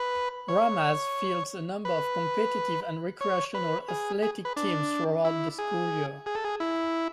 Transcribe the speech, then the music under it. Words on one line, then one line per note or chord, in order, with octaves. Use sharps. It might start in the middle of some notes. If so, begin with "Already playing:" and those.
Ramaz fields a number of competitive and recreational athletic teams throughout the school year.
Already playing: B4
C#5
B4
C#5
B4
G#4
G#4
B4
D4
E4
G#4
G#4
A4
G#4
E4